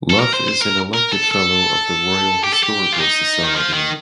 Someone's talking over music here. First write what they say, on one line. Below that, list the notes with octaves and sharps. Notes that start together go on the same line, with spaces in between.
Luff is an elected Fellow of the Royal Historical Society.
A4
A#4
C5
C5
A#4
A#4
A4
A4
G4
A4
G4
F4
D#4
D#3
F3
D#3